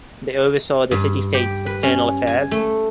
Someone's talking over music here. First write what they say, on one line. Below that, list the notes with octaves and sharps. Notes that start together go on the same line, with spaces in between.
They oversaw the city state's external affairs.
G2
G4
B4
C#4
G#5
A3